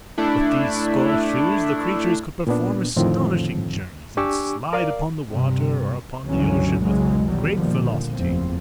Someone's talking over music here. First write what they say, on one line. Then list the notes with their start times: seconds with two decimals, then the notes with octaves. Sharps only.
With these skull-shoes the creatures could perform astonishing journeys, and slide upon the water, or upon the ocean, with great velocity.
0.18 A3 D4 E4
2.47 A#2 B3 D4
2.96 F2 A2 D3 D#3 F3 C4
4.17 D4 G4 G#5 C#6 D6 E6
4.73 A#4 D5 F5
5.29 G2 C3
6.25 C#2 G2 D3 E3 F#3 C#4
6.82 B1 E2 C#3 E3 F#3 G#3
7.25 B2 D#3 F#3 G3
7.53 A#2 D3 D#3 F3
8.12 F#1 E2 A2 F3 C4